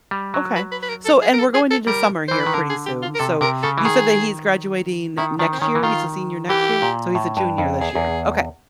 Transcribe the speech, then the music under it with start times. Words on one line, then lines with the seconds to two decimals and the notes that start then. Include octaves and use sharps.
Okay. So and we're going into summer here pretty soon, so you said that he's graduating next year he's a senior next year? So he's a junior this year. Okay,
0.11 G3
0.34 F#3
0.56 B4
0.72 B4
0.83 B4
0.89 A#4
1.05 A4
1.22 G#4
1.33 A#4
1.39 A4
1.54 G#4
1.71 A4
1.87 G3 A#4
2.28 E3 C5
2.40 B4
2.46 D#3
2.54 D3 A#4
2.70 G#4
2.86 G4
3.02 F4
3.15 A#4
3.19 C3 A4
3.41 C3 A#4
3.63 C#3 A4
3.78 E3
3.85 D#3 G#4
5.18 D#3 E4
5.39 D#3 D4
5.52 C4
5.60 D#3 C#4
5.75 E3
5.83 D#3 F4
6.49 E3 G4
6.82 A#2
7.15 A2
7.37 G2
7.58 F2
7.80 E2 G#4
7.95 E2